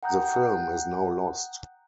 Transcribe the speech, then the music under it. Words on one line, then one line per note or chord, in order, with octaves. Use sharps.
The film is now lost.
F#5 G5 A#5 D#6 F#6 G6